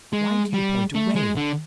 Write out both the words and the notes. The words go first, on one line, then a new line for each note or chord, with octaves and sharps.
"Why do you point away?"
G#3
G3
A3
G#3
D3